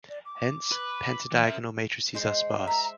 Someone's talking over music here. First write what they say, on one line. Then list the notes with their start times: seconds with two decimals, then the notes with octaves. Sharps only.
Hence, pentadiagonal matrices are sparse.
0.09 D5
0.25 D6
0.72 B4
1.32 E3
1.44 A#4 E5
2.15 G#3 C5
2.67 E5 A#5